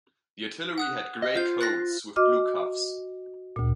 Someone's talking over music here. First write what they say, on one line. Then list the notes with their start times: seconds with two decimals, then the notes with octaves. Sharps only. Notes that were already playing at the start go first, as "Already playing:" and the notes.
The artillery had grey coats with blue cuffs.
0.78 F#5 D#6 F#6
1.22 D#5
1.36 F4 C5 G6
1.61 F#6 A6 A#6
2.16 F#4 D#5 D6 F6
3.56 D2 A#2